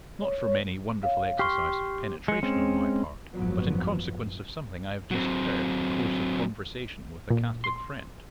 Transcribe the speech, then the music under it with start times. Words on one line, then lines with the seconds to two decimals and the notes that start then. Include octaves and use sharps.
Not from any wonderful exercise of penetration on my part, but in consequence of something I have just heard in course of conversation with a Catholic friend.
0.21 C#5
1.03 C#5 F5
1.39 G4 C6 C#6 F6 C7
2.28 G#3 C#7
2.43 G#3 C4 C#4
3.34 G#1 F#2 F3 F#3 B3
5.11 F#3 C4
7.30 A#2
7.64 C6